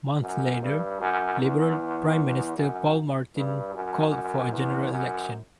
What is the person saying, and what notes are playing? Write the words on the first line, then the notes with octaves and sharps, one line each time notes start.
Months later, Liberal Prime Minister Paul Martin called for a general election.
F#2
G2
F#2
E2
F#2
G2
F#2
E2
F#2